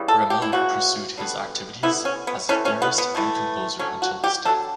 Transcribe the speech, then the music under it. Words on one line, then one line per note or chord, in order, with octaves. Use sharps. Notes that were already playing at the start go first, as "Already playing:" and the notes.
Rameau pursued his activities as a theorist and composer until his death.
Already playing: C#3 E3 G3
A4
G4
E4
C#3 E3 G3 F#4
D3 G3 B3
D3 G3 B3 E4
C#4
B3
E3 A3 C#4
C#4
B3
B3
E3 A3
D3 F#3 A3 C#4
F#4
G4
D3 F#3 A3 A4